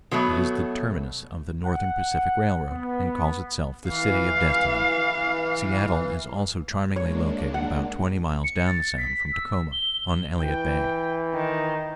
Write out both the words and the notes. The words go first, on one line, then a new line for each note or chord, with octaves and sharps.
It is the terminus of the Northern Pacific Railroad, and calls itself the "City of Destiny." Seattle is also charmingly located about twenty miles down the Sound from Tacoma, on Elliott Bay.
B2 F#3 A3 B3
F#5
B3
E3 F5
G#3 A#3 D4 C#5
F#5
C#7
A6
B6
E6
G7
E3 G5
D#3